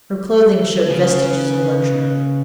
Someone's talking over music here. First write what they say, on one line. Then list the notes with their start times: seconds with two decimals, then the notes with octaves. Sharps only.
Her clothing showed vestiges of luxury.
0.90 C#3 B4